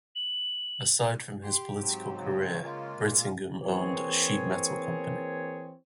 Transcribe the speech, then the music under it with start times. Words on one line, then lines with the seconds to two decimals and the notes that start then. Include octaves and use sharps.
Aside from his political career, Brittingham owned a sheet metal company.
0.16 F#7
1.43 G4 C6
1.79 G#2 F#3 C4
2.19 C#3
2.62 G#3 A#3 F4
3.00 A#2
3.62 E3 A#3 C4 G#4 C#5